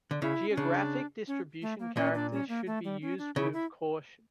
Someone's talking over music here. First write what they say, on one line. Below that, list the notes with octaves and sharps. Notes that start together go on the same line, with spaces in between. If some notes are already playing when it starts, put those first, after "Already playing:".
Geographic distribution characters should be used with caution.
D3
C#3 E4
C#4
C#3 D4
C#4
A3
A#3
A#2 C#4
D4
C#4
A#3
A3
G3
C#4
D4
C#3 E4
E4